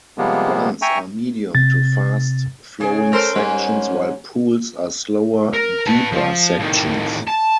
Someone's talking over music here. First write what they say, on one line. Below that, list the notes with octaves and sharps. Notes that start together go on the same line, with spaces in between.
Runs are medium- to fast-flowing sections while pools are slower, deeper sections.
C3 F3 G3 G#3 A#3 B3
E5 G5 G#5 A#5 C#6
C3 A6
C#3 G#4
A4 A#4 C5
G#2 G3 C#4
A#4
B4 A5
F3
A2 D#3
A5